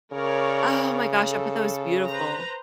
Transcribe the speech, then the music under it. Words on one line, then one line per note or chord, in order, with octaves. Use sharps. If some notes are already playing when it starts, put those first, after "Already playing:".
Oh my gosh, I bet that was beautiful.
C#3 A#4 C#5 D5
A4
B4 C5 A#5